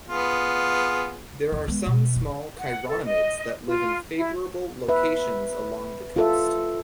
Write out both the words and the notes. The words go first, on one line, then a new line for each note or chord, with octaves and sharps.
There are some small chironomids that live in favorable locations along the coast.
B3 F4 G#4
E2
G#3 B3
B2
F1
F#5
A4
D#5
F4
E4
B4 E5
F4 A4 E5